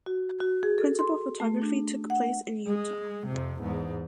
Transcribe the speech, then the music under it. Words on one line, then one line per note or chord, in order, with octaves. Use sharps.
Principal photography took place in Utah.
F#4
F#4
G#4
A4
C6
A3
D4
F#5
G#3
F2 C3
E2 G#2